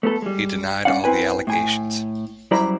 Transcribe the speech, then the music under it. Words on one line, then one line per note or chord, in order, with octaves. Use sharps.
He denied all the allegations.
A3 B3 A4
G3 G#3
G2 A3 C#4 D5 F5 F#5
C4 E4 B4 G#5
A2 G#5
F#2 G3 E4 C5 D5 A#5